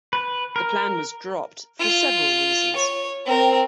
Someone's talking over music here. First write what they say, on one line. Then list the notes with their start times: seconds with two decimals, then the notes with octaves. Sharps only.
The plan was dropped for several reasons.
0.13 B4
0.56 A#4
1.79 F4
2.76 C#5
3.26 C4 A#4